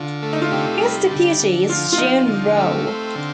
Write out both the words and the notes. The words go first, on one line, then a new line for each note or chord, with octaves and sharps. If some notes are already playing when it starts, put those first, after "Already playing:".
His Deputy is John Rau.
Already playing: D3 F4
A3
D#4
F4
C3 G4
G3
D3
D3
F3 F4
F4
F3 D#4
D3
A3
C4
D3